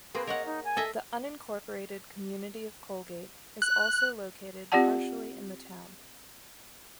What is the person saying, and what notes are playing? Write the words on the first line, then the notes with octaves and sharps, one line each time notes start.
The unincorporated community of Colgate is also located partially in the town.
A#3 C4 G#4 B4
A#4 C#5 D#5 F#5
D#4
G#5
A4 D#5 E5
F#6
C4 F4 G4 D5 F#5 A5